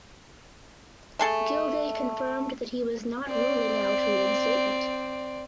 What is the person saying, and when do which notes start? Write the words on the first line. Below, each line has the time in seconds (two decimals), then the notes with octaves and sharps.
Gilday confirmed that he was not ruling out reinstatement.
1.19 A3 G#4 A4
3.27 C4 D5